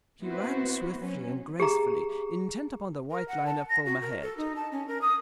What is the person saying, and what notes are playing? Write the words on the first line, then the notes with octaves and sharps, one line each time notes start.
She ran swiftly and gracefully, intent upon the white line of foam ahead.
B3 C4 E4 F#4 B4 C5
F#3 B3 C#4
G4 G#4 A#5
A#4
F#5
A5
A#6
F#4
A#4
A4
D#4
A5
C#4
A#4
D#6